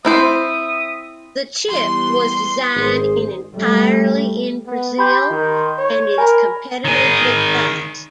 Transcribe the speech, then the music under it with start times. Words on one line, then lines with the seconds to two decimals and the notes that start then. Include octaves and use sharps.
The chip was designed in entirely in Brazil and is competitively priced.
0.05 C4 E4 C5 E5 D#6
1.68 E3 G3 B3 C6
2.75 G#1 G#4 C5
3.54 G3 A3
4.66 B3
4.98 G4 B5 C6 G6
5.31 D#3
5.79 C#5
6.18 A#4 G#5 B5
6.85 D#3 G#4